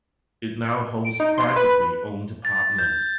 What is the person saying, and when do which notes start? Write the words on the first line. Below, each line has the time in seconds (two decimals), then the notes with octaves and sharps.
It now holds privately owned apartments.
1.05 D7
1.20 D#4
1.38 C6
1.56 B4
2.45 A6
2.78 G6